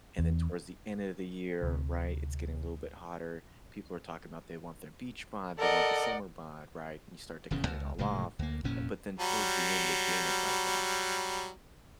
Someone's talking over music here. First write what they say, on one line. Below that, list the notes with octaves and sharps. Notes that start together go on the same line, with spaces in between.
And then towards the end of the year, right, it's getting a little bit hotter, people are talking about, "They want their beach bod, they want the summer bod," right? And you start to cut it all off, e but then towards the end, you gain it right back.
E2
D2 C3
A4 A#4 D5 D#5 F#5
D#1 E2 C#3 C#4
C#2
F1 A2 C#3 G#3
D2 A#3
F1 E2 A#2 C#4
F#3 G3